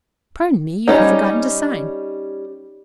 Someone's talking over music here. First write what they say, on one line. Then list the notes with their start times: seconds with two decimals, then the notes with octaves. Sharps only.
"Pardon me, you have forgotten to sign."
0.88 G3 C#4 D#4